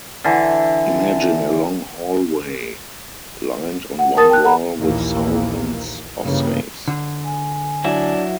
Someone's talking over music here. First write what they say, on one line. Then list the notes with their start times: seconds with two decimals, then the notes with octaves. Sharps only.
Imagine a long hallway, lined on one wall with thousands of safes.
0.24 D3 E3
3.99 F#5
4.17 A#4 A5 D#6 A6
4.30 G5 A5 F#6
4.44 A4 F#5 A#5 B5
4.80 A#1 D#2 E3 A#3
6.21 G2 C#3 E3 G3 A#3
6.88 D3
7.24 G#5
7.85 F#3 D4 E4 E5